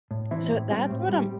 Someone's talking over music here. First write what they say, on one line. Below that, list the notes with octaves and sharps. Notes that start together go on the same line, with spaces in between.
So that's what I'm
A2
E3 C4 E4
A2
G3 C4 G4
A2
G3 C4 G4